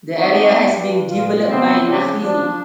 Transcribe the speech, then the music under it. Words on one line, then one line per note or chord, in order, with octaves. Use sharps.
The area has been developed by Nakheel.
A3 C4 D4 D#4 F#4
G2
G2 A#2 F4
C3 B3 C4
C#3 C4 D4 G4
F3 D4